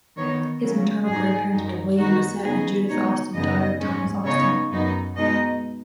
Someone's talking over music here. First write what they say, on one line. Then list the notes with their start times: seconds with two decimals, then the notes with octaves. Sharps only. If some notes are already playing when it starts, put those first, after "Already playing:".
His maternal grandparents were William Basset and Judith Austen, daughter of Thomas Austen.
0.17 D#3 B3 D#4 C#5
0.62 C#3 F#3 C#4
1.08 G#2 F#3 D#4 G#4
1.53 F#2 F#3 D#4
1.99 D#3 F#3 B3 D#4 F#4
2.44 C#3 B3 D#4 G#4
2.89 B2 G#3 D#4 C#5
3.34 F#2 C#3 B3 D#4 D#5
3.80 G#2 G#3 C#4
4.25 C#3 B3 D#4 C#5
4.71 F#2 F#3 B3 D#4
5.16 B2 G#3 D#4 D#5